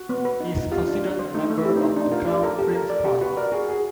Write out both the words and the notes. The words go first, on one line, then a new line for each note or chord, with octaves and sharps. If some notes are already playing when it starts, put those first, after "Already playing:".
He is considered a member of the Crown Prince Party.
Already playing: F#4
B3
B4
D#4
D#4
F4 G4
D4
D4
C5
A3 D#4
A3
E4
G4
D#4
C5
D4 D#4
F4 A#4
G4 D5
A4 A#4
G4
A#4
D5
G4
F#4 B4
A#4 D5
F#4 G#4
F#4 G#4